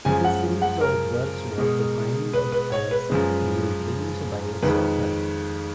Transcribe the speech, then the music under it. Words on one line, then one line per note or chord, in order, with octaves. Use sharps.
This series of works was defined as Udreams by its author.
F#2 F3 G#3 G#5
F#5
F#5
A#4
B2 G#3
B4
B4
C#5
B4
F#2 F3 G#3
F2 D#3 G#3 B4